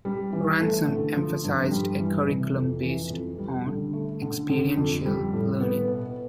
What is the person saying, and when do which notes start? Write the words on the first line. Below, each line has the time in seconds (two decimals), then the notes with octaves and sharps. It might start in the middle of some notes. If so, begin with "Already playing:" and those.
Ransom emphasized a curriculum based on experiential learning.
0.05 G3
0.33 E3
0.61 A3
0.88 D3
1.16 F3
1.44 G2
1.71 G3
1.99 E3
2.27 C3
2.55 F2
2.83 E3
3.10 F2
3.38 G3
3.66 D3
3.93 A3
4.22 D3
4.49 D3
4.77 F2
5.06 G3
5.33 A2
5.60 B3
5.88 B2